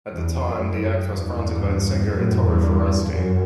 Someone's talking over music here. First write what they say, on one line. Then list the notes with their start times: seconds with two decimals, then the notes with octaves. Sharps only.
At the time, the act was fronted by the singer Ettore Foresti.
0.13 E2
0.46 F#2
1.11 E2 G2
2.12 F#2 A2
2.44 E2 G2
3.11 F#2